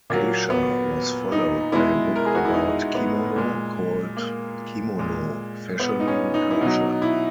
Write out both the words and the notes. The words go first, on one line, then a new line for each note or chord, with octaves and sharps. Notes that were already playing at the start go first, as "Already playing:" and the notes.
Geisha was followed by a book about kimono, called "Kimono: Fashioning Culture".
A#2 F#3 A#3
B3
D#4
B2 G#3 E4
A#4
G#4
F#4
E4
D#4
B3
A#2 G#3
A#3
A#2 G#3
B3
D#4
C#4
D#4
E4
B2 F#3 D#4
E4